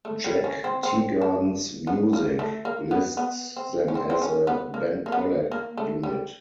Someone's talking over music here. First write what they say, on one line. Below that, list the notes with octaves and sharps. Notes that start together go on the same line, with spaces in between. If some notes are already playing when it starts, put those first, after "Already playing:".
"Jack Teagarden's Music" lists them as a "Ben Pollack Unit".
A3
G3
C#4
C4
C4
D4
B3
A#3
A3
A#3
B3
B3
C4
C#4
C4
C4
C#4
B3
A#3
A#3
B3
A#3
A3
G3